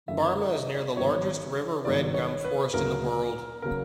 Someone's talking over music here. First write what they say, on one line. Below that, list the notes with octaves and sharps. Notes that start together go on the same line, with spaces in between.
Barmah is near the largest river red gum forest in the world.
F#1 F#2 D3 E5
D#5
D#5
D5
G#1 G2 D#3 F#3 B3 C#5
G#1 G2 D#3 F#3 B3 D5
C#5
B4
D2 C#3 F#3 A#3 A#4
C#3 F#3 A#3 A#4